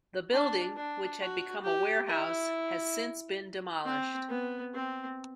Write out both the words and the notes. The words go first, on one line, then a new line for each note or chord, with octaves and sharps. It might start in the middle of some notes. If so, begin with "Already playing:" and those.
The building, which had become a warehouse, has since been demolished.
D4
D4
F#4
G4
E4
C4
B3
C4